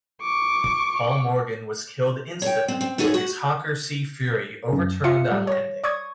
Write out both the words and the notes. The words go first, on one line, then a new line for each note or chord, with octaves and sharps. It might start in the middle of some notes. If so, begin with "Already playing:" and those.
Paul Morgan was killed instantly when his Hawker Sea Fury over-turned on landing.
C#6 D6
C#5 G5
C4
C4
A3 D#4 F#4 G#4 A4 C#5
F#4
F#2
F4 E5 F5 C#7
G3
C#5 A#6
D5 C#6 D#6 G#6